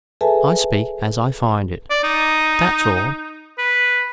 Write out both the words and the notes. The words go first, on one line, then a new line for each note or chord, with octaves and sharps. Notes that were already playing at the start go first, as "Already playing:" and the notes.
I speak as I find it; that's all.
G#4 A4 B4 E5 G#5 A5
D5
D#4
B4